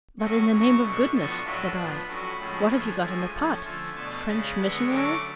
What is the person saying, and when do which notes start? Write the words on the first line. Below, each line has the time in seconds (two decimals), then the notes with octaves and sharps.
"But, in the name of goodness," said I, "what have you got in the pot? French missionary?"
0.19 A2 F#3 C#4 C#6
0.51 C#3 F#3 C#4 C#6
0.82 B2 A3 D4
1.13 A2 F3 B3 D4
1.44 A2 F#3 A3 D4 B5
1.76 F3 B3 D4
2.07 A2 F#3 C#4
2.39 A2 F3 G#3 C#4
2.70 F3 A3 D4 G#5
3.01 A2 F3 G#3 G#5
3.33 F3 A3 C#4
3.64 D3 F3 A3
3.96 B2 A3 D4 A5
4.27 C#3 G#3 C#4 B5
4.58 D3 G#3 B3 D4 C#6
4.89 D3 F#3 A3 C#4 D6